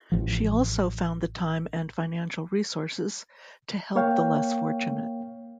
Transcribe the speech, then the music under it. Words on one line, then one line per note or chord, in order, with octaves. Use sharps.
She also found the time and financial resources to help the less fortunate.
A1 F3
A#3 C#5 F5 G5